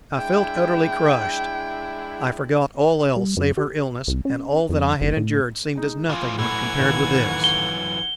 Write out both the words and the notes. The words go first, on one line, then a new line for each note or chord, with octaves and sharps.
I felt utterly crushed. I forgot all else save her illness, and all that I had endured seemed as nothing when compared with this.
G#3 D4 E4 G5
G3
F#2
G4
C2
C#4
F2
F#1
A2
G#3 D#4
E3 F3 F4
F#2 A2 E3 F#5 G#6
D#2 A2 E7
G7